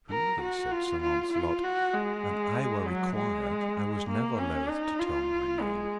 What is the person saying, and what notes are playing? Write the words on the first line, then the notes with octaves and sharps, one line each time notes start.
Truly, said Sir Launcelot, an I were required I was never loath to tell my name.
A#4
F#4
F4
F4
F4
F#4
G#3
F#3
G#3
A#3
C#4
D#4
F4
G#3